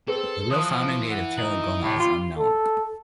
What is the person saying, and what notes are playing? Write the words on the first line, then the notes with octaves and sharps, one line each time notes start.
The real founding date of Tarragona is unknown.
C4 G#4 A4 B4
E3 F3 D#6 F#6
F#5
D#4 F#7
A2 G4
F4
A4